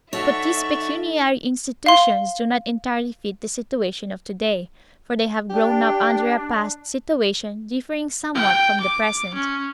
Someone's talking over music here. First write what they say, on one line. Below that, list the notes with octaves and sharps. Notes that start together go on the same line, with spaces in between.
But these pecuniary institutions do not entirely fit the situation of today, for they have grown up under a past situation differing somewhat from the present.
D#4 F#4 A4 C#5 D5 E5 C#6
F5 C6
D4 G4
G5
D6
C#4